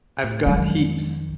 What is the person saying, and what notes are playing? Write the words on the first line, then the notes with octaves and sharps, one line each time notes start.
I've got heaps.
A2
F2 D#3 F#3 G#3 D4